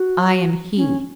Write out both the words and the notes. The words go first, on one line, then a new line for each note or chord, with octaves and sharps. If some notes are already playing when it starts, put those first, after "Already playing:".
"I am he."
Already playing: F#4
C#4